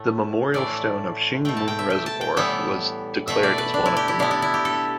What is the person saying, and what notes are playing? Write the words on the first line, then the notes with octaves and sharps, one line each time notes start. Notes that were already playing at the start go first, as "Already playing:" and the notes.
The Memorial Stone of Shing Mun Reservoir was declared as one of the monuments.
Already playing: A2 A3
A2 E3 A3 D5
B2 A3 G5
A5
G5
E5
G5
A5
G5
A2 E3 G3 B3 E5
B2 A3 E5
D5
B4
D4
E4
G4
E4
B2 B3 D4
E4
E4
G4
A4